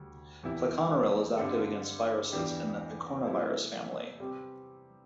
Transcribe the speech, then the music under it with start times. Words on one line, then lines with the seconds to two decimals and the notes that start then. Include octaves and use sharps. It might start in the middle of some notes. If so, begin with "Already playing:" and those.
Pleconaril is active against viruses in the picornavirus family.
Already playing: D2 G3
0.43 E2 C3 G3 E4
1.37 G2 D3 C4 A4
2.32 E2 E3 G3 D4 G4
3.26 C3 A3 E4
4.20 C3 G3 C4 G4